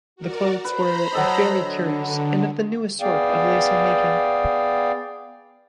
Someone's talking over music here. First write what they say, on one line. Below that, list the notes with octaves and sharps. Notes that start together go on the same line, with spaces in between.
The clothes were "very curious and of the newest sort of lace and making".
F#4 A#4 D5
B4 C5 A#5 B5
F#3 A4 D#5
D3
B3 G#4 D5 F5 G5